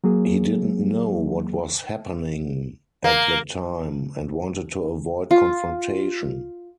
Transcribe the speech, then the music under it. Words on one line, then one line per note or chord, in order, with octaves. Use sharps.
He didn't know what was happening at the time and wanted to avoid confrontation.
F#3 A#3 G#4
A#3
F4